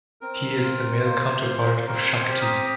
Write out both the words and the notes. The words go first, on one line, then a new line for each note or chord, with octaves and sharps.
He is the male counterpart of Shakti.
C4 A#4
F4
A#3 C5
C5
F4
C5
C5
C4 A#4
C5
G4 F6
A#5 D#6